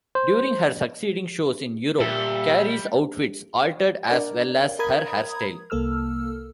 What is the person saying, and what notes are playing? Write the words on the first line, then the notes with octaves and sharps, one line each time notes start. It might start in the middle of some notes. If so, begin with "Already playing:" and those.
During her succeeding shows in Europe, Carey's outfits altered as well as her hairstyle.
C5
A#2 G3 G4 A4 E5
D4 A#4 D5
A#4 A#5 B5 D#6 G#6
C2 A#3 A4 E6 F6